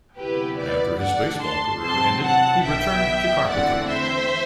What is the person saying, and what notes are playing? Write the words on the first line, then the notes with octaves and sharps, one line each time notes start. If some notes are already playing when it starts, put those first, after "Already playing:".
After his baseball career ended, he returned to carpentry.
D2 C3 F#3 B3 E4 G4 B4
B4 D5
D2 D3 A3 D4 D5 F#5
A5 C6
E2 C3 F#3 C4 A5 C6
F#5 A5
B1 B2 F#3 B3 E5 G5
E2 D3 A3 C4 E4 D5 F#5
C5 E5